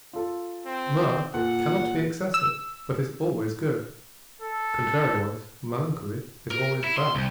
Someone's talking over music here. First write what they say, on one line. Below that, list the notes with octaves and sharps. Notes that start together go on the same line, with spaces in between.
Mirth cannot be excessive, but is always good; contrariwise, Melancholy is always bad.
F4 A4
C4
A#2 A4 F#5
E6
A4
A#4
E4
C6
C2